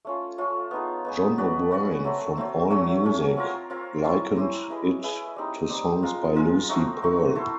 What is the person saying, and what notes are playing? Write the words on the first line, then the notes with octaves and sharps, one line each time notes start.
Jon O'Brien from AllMusic likened it to songs by Lucy Pearl.
A3 C#4 F4
A3 C#4 F4
B3 D#4 G#4
B3 D#4 G#4
C#4 F#4 B4 D5
C#4 F#4 B4 D5
F#3 A3 C4
F#3 A3 C4
F#3 A3 C#4
F#3 A3 C#4
C4 F4 A#4 C#5
C4 F4 A#4 C#5
C#4 E4 G4 C5
C#4 E4 G4 C5
E4 G#4 B4 D#5
E4 G#4 B4 D#5
G3 C4 D#4
G3 C4 D#4
G#3 C4 F4 A#4
G#3 C4 F4 A#4
A3 C4 D#4 F#4
A3 C4 D#4 F#4
E4 A4 C5